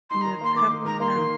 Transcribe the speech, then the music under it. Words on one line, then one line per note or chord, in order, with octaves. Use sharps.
You're coming now.
D#4 C6
A#5
D#3
A#3 C6
D#3 D6
D#4
D#3 A#5
A#3 C6
D#3